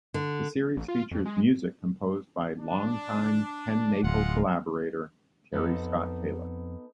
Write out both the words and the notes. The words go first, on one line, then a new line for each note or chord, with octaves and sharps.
The series features music composed by longtime TenNapel collaborator, Terry Scott Taylor.
D3
A1
F4
F2
G#3
D4
D1 G#3 F4 F#5
F2 B3 D#4 A4